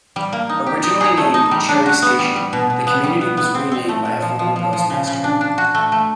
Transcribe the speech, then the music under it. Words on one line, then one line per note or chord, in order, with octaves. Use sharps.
Originally named Cherry Station, the community was renamed by a former postmaster.
G3
A#3
D#4
G4
D#4
G#4
A3
D#4
G3
D4
F#4
B3
G3
G3
B2
B2
B3
G3
B3
B3
C4
C4
A3
A#2
F3
F3
F3
F3
C#3
C#3
D4
D4
F#4
A3
A3